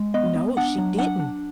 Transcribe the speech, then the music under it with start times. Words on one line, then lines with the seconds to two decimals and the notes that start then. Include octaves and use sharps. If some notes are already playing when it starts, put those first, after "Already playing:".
No, she didn't.
Already playing: G#3
0.14 B3 D#5
0.36 B3
0.57 D4 F#5
0.78 F#3
0.98 D4 F#5
1.20 D4